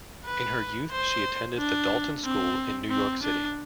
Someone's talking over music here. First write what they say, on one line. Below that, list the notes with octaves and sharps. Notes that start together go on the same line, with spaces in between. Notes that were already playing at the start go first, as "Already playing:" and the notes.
In her youth she attended the Dalton School in New York City.
B4
C5
D4
C4
C4
D4